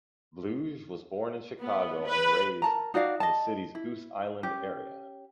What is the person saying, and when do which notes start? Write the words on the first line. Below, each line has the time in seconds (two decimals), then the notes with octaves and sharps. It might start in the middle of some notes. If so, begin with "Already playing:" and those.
Bluege was born in Chicago and raised in the city's Goose Island area.
1.61 B3
2.06 B4
2.62 A#4 A5 A#5
2.94 D#4 F#4 D5 F5
3.20 D#5 A5
3.75 E4
4.43 C#4 G4